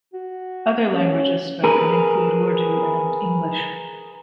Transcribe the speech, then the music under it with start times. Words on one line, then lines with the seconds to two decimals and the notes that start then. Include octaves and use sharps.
Other languages spoken include Urdu and English.
0.14 F#4
0.94 C#4
1.64 G#4 A#4 B4